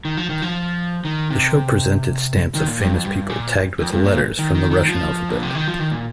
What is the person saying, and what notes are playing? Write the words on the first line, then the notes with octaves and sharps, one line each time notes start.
The show presented stamps of famous people tagged with letters from the Russian alphabet.
D#3
F3
D#3
F3
D#3
C3
D#3
A#2
G2
F2
G2
A#2
G2
F2
G2
A#2
D#3
D#3
D#3
F3
A#2
C3
D#3
F3
D#3
A#2